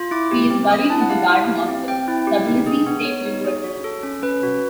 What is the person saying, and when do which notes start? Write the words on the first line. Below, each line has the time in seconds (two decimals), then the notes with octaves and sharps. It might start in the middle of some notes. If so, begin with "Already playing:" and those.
He is buried in the garden of the Tbilisi State University.
Already playing: F4
0.11 E4 D6
0.31 G4
0.50 C4
0.71 C4 D#6
0.90 E4 A5
1.01 F#5
1.10 G4 F5
1.29 E4
1.49 G4
1.69 C4
1.88 C4 G5
2.08 E4
2.27 G4
2.47 D#4
2.66 G#4
2.87 B3
3.05 B3 C#5
3.25 D#4
3.45 G#4
3.64 F#4
3.84 A4
4.03 C#4
4.23 C#4 B4
4.43 F#4